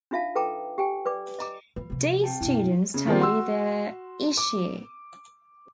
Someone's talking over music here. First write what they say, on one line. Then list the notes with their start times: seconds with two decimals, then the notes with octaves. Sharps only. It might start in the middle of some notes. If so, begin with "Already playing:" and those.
D. students study there each year.
0.11 D4 D#4 F4 E5 F5 A5
0.35 A4 B4 G5 A5 A#5 D6
0.78 G4 G5 G#5
1.06 B4 D5 D6
1.39 D#5 A#5 D6
1.76 F3 B4
1.90 C3 F3
2.24 C4 G5 A5
2.41 F#2 B2 E4
2.94 C#3
3.07 D#3 F3 G#3 A#3 C4 F4
3.20 F#4 C6 E6
4.37 D6